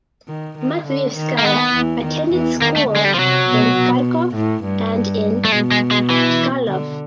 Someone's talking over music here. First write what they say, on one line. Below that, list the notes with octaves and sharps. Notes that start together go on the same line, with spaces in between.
Matviyevskaya attended school in Kharkov and in Chkalov.
D#3
D#3
D3
D#3
A#3
D#3 B3
E2 E3
D#3
E2 E3
D#3 A#3
A3
D3
G#3
G3
F3
C3 F#3
B2
B2
A2
G2
A3
B2 G#3
G#3
G#3
E3
D3